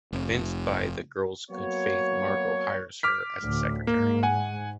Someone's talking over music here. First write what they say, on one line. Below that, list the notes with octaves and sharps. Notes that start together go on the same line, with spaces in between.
Convinced by the girl’s good faith, Margo hires her as a secretary.
F1
F#3 A#3 B3 F#4 C#5
D6 F6 B6
D2 A2
G#2 A#3
F#5 G#5